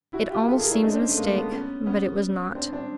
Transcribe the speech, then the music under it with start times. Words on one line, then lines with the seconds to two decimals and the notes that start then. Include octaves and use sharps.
It almost seems a mistake, but it was not.
0.13 E4 F#4
0.30 F4 G4
0.48 G4 A4
0.60 G#4 A#4
0.71 D4 E4
0.83 C#4 D#4
0.92 C4 D4
1.09 A3
1.17 G#3 A#3
1.34 A3 B3
1.51 B3 C#4
1.86 B3 C#4
2.55 C4 D4
2.73 C4 D4